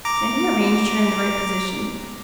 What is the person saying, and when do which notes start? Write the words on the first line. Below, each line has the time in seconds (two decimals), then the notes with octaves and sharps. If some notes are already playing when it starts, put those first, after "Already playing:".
Then he arranged her in the right position.
0.05 A#5 D6